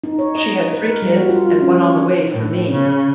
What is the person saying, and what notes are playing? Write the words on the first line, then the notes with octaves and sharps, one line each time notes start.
She has three kids and one on the way for me.
D#4
C#5
D#5
B4
A#4
G3
F#4
F4
F4
C#4
C#5
A2
C#3